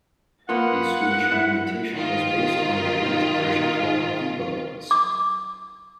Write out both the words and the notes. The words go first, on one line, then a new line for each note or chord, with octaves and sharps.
The Swedish implementation was based on a limited version called eBones.
A#3 B3 F4 F#5
E4
D#3 F4
D6